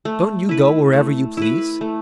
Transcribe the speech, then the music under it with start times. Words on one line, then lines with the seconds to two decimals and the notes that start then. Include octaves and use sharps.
"Don't you go wherever you please?"
0.05 A3
0.49 E4 B4
0.93 A3
1.37 E4 B4
1.81 A3